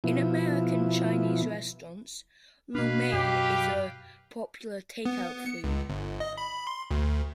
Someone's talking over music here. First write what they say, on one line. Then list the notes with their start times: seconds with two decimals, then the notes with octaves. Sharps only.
In American Chinese restaurants, lo mein is a popular take-out food.
0.04 B2 F3 E4
2.75 B2 A#3 D4 B4 F5
3.13 F#2 G4
5.05 B3
5.46 C#7
5.64 C#2
5.90 G1
6.20 D#5
6.38 B5
6.67 C6
6.91 D2